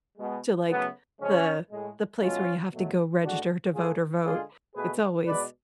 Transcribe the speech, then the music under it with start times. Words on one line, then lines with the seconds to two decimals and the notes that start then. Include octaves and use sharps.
to, like, the the place where you have to go register to vote or vote. It's always
0.18 B2 G#3
0.69 C#3 F#3 A3 B3
1.20 C#3 F3 G#3 C#4
1.71 A2 G#3
2.22 B2 F#3 A3 C#4 F4
2.72 B2 F#3 A3
3.23 A2 G#3 D4 F#4
3.73 A2 F3 A3 F4 G#4
4.24 D3 G#3 F4 G#4
4.75 B2 A3 G#4 B4
5.26 B2 G#3 B4 D5